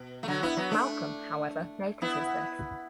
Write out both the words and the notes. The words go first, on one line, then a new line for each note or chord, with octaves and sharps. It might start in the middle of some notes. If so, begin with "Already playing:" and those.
Malcolm however notices this.
Already playing: B2
A3
D3 F#3
B3 E4
F#3 B3
A3 D4
B3 E4